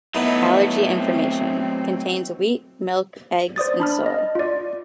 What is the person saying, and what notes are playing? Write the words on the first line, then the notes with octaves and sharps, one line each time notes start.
Allergy Information: Contains wheat, milk, eggs, and soy.
F#3 A3 B3 D#4 E4
C4
C5 D5 D#6 A6
D4 B5 F6
D#5
F4 D5